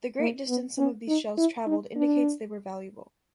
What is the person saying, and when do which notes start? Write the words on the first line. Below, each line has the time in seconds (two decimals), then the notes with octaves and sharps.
The great distance some of these shells traveled indicates they were valuable.
0.19 A#3
0.48 B3
0.78 C#4
1.08 D#4
1.37 E4
1.66 D#4
1.96 D4